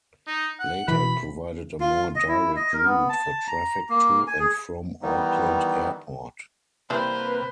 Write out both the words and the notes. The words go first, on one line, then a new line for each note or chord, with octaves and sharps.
Later, it provided a more direct route for traffic to and from Auckland Airport.
D#4
F#5
B2 E3 B5
F4
D#5
E4
D#5
A#4
B3
A5
A#5
A#3
G#5
G#4
D#3 E3 G3 B3 D#4
C3 E3 G3 A#3 C4 B4 C5